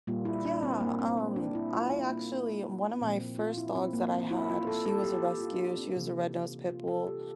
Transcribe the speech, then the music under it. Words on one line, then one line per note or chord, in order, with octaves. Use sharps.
Yeah, um, I actually one of my first dogs that I had, she was a rescue, she was a red nosed pit bull,
A#2 G3 A#3 F4
E4
D4
C4
A#3
C4
C4
D4
E4
F4
E4
A#3
A#2 F3 A#3 C4
F4
E4
C4
A#3
C4
E4
F4
A4
A4
G4
F4
D4
C4
C3 E3 A#3
F4
A4
G4